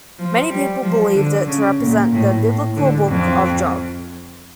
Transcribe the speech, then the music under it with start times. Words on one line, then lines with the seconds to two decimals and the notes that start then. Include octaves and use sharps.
Many people believed it to represent the biblical Book of Job.
0.18 F3
0.50 G3
0.83 F3
1.15 D3
1.47 C#3
1.80 A#2
2.12 A2
2.44 A2
2.76 D3
3.08 F2